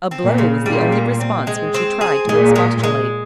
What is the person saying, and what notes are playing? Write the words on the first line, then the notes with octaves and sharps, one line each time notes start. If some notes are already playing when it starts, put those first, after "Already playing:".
A blow was the only response when she tried to expostulate.
C4
A#2
C#3
A#2 G3
G3
C4
G#3
C4
G#4
A#2 G#3
G#3
G#3